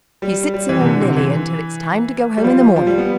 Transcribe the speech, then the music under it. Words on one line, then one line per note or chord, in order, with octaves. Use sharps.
She sits in a lily until it is time to go home in the morning.
G3
G3
E3
C3
D3
C3
E3
G3
F3
F3
G3
B3